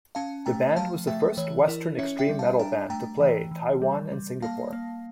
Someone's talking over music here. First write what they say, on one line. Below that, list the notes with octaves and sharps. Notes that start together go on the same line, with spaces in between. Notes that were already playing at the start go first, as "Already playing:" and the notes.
The band was the first Western extreme metal band to play Taiwan and Singapore.
C#4 F5 A5
A3 G5 A#5
F3 F5 A5
A3 E5 G5
E3 C#5
E4 A#4
C#4 C#5 E5
E5 G5
G3
F5 A5
D4 G5 A#5
A3 G5 A#5
E3
E3
G3
G3
A#3 F5 A5
A#3